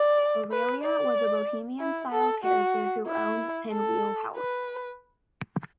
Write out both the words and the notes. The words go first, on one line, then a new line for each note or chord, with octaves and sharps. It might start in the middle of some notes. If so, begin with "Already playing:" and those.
Aurelia was a bohemian-style character who owned Pinwheel House.
Already playing: D5
B4
D5
E4
A4
F#4
E4
A4
B4